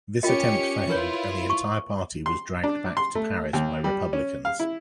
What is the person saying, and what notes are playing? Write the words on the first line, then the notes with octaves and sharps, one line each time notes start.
This attempt failed, and the entire party was dragged back to Paris by republicans.
C#4 F4 G4 A#4 D#5 C#7
E4 F4 A#4 B4 C#5
C#6
C6
D4
C6
A3
D#2
G3
C#4
F5
E4